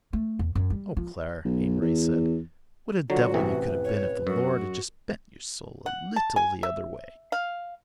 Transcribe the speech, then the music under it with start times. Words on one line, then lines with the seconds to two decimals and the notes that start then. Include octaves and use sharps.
"Oh, Clara!" Amory said; "what a devil you could have been if the Lord had just bent your soul a little the other way!"
0.13 A3
0.39 E2
0.55 F#2
0.70 G3
0.97 F3
1.45 B1
1.81 E2
3.10 D3 F#3 F4 F#4
3.34 A1 C3 E3 B4
3.84 C#5
4.27 F#2 F#4
5.86 F#5
6.16 A5
6.36 G#5
6.63 E5
7.32 F5